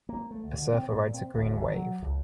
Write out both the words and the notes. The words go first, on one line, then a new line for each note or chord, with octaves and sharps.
A surfer rides a green wave.
A#3
A3
D2
D3
C4
A#2
C4
D1
A1
F#3
C#2